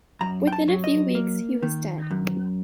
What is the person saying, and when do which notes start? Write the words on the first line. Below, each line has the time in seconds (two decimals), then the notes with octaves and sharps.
Within a few weeks, he was dead.
0.21 F#2 A#5
0.47 G5
0.52 A5
0.68 F#3
0.84 D#5
1.15 A#3
1.63 D#3
2.11 F#2